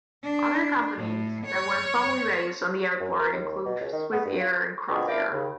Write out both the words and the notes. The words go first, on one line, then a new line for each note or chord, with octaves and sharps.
Other companies that were formerly based on the airport include Swissair and Crossair.
D4
A2
C#5
F#2
A#4
D#2
B2
C#2
D#3
B3
G2
F4
B2 D3 C4 F4 G#4
D4 E4 F4 A#4 D5 G5
D#2 C#3